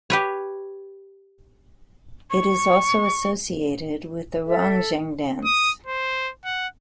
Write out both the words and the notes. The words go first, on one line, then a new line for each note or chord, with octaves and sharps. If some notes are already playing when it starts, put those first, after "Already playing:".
It is also associated with the Ronggeng dance.
G4 B4 C#5
C#6
A4 E5
D#6
C5
F#5